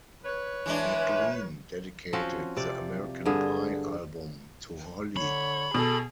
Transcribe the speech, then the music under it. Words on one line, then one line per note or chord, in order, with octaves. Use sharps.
McLean dedicated the "American Pie" album to Holly.
B4 C#5
E3 G#3 D4
F3 C4 C#4 F#4
C3 D5
G2 D3 G#4
D3 C#5 B5
B2 G#4 A4